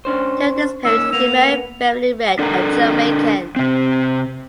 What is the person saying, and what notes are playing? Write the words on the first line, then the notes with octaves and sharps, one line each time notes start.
During this period he married Beverley Reid, a Jamaican.
C#4 D4 C5
A#3 C#4 D#4 E6
A#3 B3 F7
D4 A4 A#4 A5 A#5
C3 C4